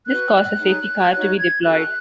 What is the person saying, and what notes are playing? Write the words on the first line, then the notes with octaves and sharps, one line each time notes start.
This caused the safety car to be deployed.
F#4 B4 F#6
D#4 G#4 C#5
G#6
D#4 F#4 C#5 F#6
G#6
C#4 F#4 A4 F#6